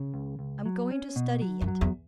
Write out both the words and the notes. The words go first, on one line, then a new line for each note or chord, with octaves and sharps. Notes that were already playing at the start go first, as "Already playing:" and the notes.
I'm going to study it.
Already playing: C#3
C#2
C#2
F#3
C#4
B2
F#3
F#2
F#3
E2